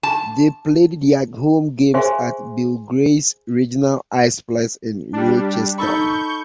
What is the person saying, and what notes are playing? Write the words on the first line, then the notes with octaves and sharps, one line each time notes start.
They played their home games at Bill Gray's Regional Iceplex in Rochester.
A5
G#4 C5 E5 G#5 C6
G3 D4
D#4 A4 B5 C#6 G6